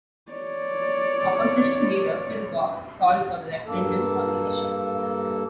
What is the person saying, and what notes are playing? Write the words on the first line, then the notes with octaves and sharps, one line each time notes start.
Opposition Leader Phil Goff called for a referendum on the issue.
C#5 D5
G2 A#3 A4